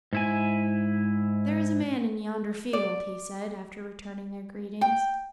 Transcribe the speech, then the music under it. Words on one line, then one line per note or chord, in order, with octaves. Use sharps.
"There is a man in yonder field," he said, after returning their greetings.
G#2 E4 G#5
D5
G5